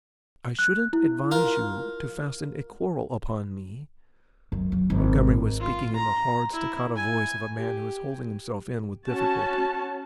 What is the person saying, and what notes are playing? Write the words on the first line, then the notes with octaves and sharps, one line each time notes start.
"I shouldn't advise you to fasten a quarrel upon me." Montgomery was speaking in the hard, staccato voice of a man who is holding himself in with difficulty.
F#6
E4
F4 A#4
F#2
F#3
G#1
F4
A#5
E4
G#5
G4
C#4 F#4 A5